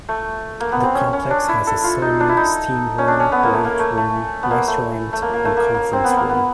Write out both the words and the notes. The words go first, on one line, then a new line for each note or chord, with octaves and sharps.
The complex has a sauna, steam room, weight room, restaurant and conference room.
A3
A#3
B3
C4
C#4
C#4
D4
E4
A4
F4
D#4
D4
E4
D#4
C#4
D4
C#4
B3
A#3
A3
A#3
A3
A3
B3
A#3
A3
A3
A#3
A#3
A3
A#3
A#3
C4
B3
A#3
B3